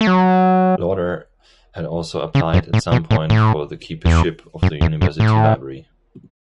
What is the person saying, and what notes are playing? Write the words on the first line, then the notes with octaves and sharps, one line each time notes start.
Lauder had also applied at some point for the keepership of the university library.
A3
F#3
C#3
F#2
A2
B2
A2
A2
E2
F#2
E2
F#2
A2